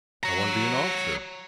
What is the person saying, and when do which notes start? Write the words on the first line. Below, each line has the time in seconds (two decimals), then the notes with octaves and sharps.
I want to be an officer.
0.24 C#5 A#5